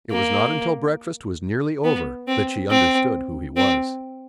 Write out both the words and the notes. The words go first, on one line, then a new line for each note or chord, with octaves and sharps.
It was not until breakfast was nearly over that she understood who he was.
A#3
B3
C4
C4
C4